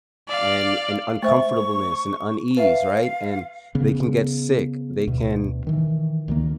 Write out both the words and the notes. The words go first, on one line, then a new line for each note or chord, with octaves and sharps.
and and uncomfortableness, and unease, right? And they can get sick, they can
D5 F5
A3 C5 E5 C#6
B4 E5 F5
C#3 B3
D2 B2
D#3 E3
D2 D#3 A#3